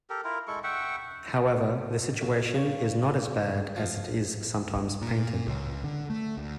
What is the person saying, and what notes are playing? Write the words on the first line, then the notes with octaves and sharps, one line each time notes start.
However, the situation is not as bad as it is sometimes painted.
G4 A4 A#4
E4 F4 A#4
G#3 E4 A4 C#6
E5 F#5 G5 C#6
B1
C#3
F3
A#2
C#2
D3
A3
D2